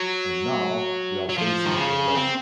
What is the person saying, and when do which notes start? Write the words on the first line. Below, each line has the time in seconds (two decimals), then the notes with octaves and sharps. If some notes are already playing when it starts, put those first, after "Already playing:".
And now we are facing a wreck.
Already playing: F#3
1.29 F#3
1.38 F3
1.65 D#3
1.76 C#3
2.15 C4